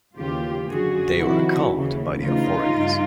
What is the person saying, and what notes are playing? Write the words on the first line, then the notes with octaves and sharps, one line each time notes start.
They were caught by the authorities.
D#2 C#3 E3 F4 G4
F#2 D3 F#4 G#4
F2 C3 D#3 E4 F#4
D#2 C#3 E3
D2 C#3 E3 D#4 F4
G2